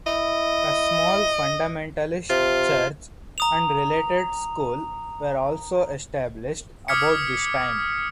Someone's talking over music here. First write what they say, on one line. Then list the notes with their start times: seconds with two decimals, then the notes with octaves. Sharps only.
A small fundamentalist church and related school were also established about this time.
0.07 E4 D#5
2.30 C3 F4
3.38 A#5 D#6 F7
6.88 D6 D#6 F6 G#6 B6 C#7